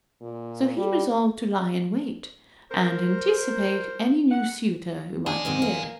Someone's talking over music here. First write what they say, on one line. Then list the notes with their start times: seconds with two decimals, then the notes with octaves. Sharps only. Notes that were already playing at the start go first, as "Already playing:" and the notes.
So he resolved to lie in wait, and anticipate any new suitor who might appear.
0.21 A#2
0.77 G3
2.71 A#4 C5
4.31 F#5
5.26 G#3 D4 G#4
5.45 G#2 C3 D#3
5.62 A#3